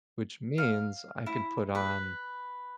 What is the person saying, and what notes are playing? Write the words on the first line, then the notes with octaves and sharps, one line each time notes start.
which means I can put on,
F5
E4
B4